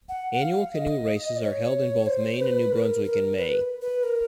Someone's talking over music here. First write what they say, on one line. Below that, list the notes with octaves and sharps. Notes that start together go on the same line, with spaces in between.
Annual canoe races are held in both Maine and New Brunswick in May.
F#5
F#5
F5
D#5
D5
C#5
C5
B4
A#4
A#4
B4
B4
A#4